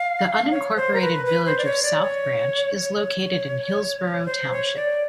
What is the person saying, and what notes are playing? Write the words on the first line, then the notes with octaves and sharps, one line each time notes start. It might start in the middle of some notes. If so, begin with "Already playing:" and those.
The unincorporated village of South Branch is located in Hillsborough Township.
Already playing: F5
C#5
C5
A#4
B4
B4
C5
D5
C#5
D5
C#5
C#5
C5
C#5
D5